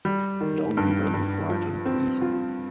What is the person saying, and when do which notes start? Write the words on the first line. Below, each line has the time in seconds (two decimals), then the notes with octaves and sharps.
Don’t be very frightened, Lisa.
0.05 G3
0.41 D#3
0.77 G2
1.14 G2
1.49 F3
1.86 C4
2.21 F4